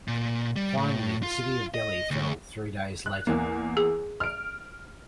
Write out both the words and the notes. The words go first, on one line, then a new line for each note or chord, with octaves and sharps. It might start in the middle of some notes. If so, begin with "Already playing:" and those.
Finally, the city of Delhi fell three days later.
A#2
G3
A2
F4
D#5
D2
F#6
E2 A#3
G#4
F6 D7